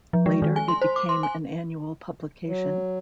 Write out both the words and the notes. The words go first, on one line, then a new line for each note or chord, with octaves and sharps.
Later, it became an annual publication.
F3
G#3
D#3
G#5
C6
C5
D6
C6
G#5
F#3